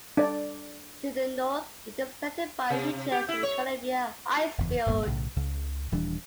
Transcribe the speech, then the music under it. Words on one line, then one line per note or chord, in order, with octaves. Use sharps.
To the north it is connected by ridges to the Columbia Icefield.
D4 D5
C3
G4
E4
C#5
F#1 E2
D1 G1 G2 A#3
B1 A2 C#3
C#2 C#3
D#1 E3 G3 D4